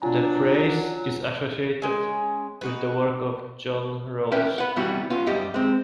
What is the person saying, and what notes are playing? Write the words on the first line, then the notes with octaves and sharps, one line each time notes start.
The phrase is associated with the work of John Rawls.
F#3 D4 F4 G#5 A#5
G#3 C#4
D#4 F#4 B4
C#4 A#4 B4 E5 G5
B4 F#5
C2 B2 E3 G3 B3 F#4
B3 C#4 F4
F#2 G3 G4 D#5
G#3 C4